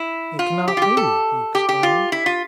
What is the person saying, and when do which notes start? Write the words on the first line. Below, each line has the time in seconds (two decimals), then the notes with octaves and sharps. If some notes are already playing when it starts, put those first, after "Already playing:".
"It cannot be!" he exclaimed.
Already playing: E4
0.39 F4
0.68 G4
0.77 F4
0.82 G4
0.97 A4
1.55 G4
1.69 G4
1.83 F4
2.12 E4
2.26 F4